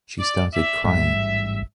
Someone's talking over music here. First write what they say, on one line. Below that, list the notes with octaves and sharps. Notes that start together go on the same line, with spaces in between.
She started crying.
D5
D5 E5
A1 G#2 G3 E5